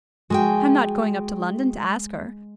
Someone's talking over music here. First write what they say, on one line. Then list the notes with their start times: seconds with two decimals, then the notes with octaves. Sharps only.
I'm not going up to London to ask her.
0.30 G#3 F#4 G#4 G5